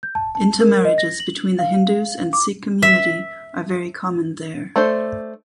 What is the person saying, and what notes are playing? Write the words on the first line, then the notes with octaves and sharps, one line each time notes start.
Intermarriages between the Hindus and Sikh community are very common there.
G6
A5
A5
A#4
D#5
A#6
F#7
F5
D6
E5
A3 D4 A4 C5